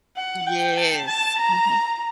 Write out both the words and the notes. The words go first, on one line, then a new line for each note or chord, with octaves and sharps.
Yes. Mhm.
F#5
G5
A5
A5
A#5